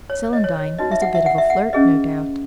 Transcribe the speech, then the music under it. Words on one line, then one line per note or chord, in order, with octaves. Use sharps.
Celandine was a bit of a flirt, no doubt.
C#5
D#5
C#5
C#5
D#4 F#4 B4 D#5
E5
F#5
E5
F#5
E5
F#5
C#4 G#4 B4 D#5